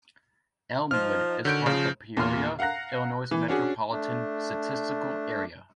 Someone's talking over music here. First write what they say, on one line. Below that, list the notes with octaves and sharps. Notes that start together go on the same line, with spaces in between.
Elmwood is part of the Peoria, Illinois Metropolitan Statistical Area.
F3 D#4 F6
D3 D#3 F#4 C#5 G6 D7
C#3 F3
E2 A#2 F4 C6 F6
F5 F#5 A#5 F#6 A#6
E3
C#4 D4 F#4 G#4
A3 D4